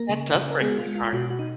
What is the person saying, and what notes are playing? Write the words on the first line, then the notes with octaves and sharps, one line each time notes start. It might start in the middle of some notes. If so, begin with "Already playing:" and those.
That does break my heart.
Already playing: A#3 A#4
C#3
C#3
A#4
G#3 B3 G#4
F#4
F4
G#3
F4
B2 F#4
F#4
D#4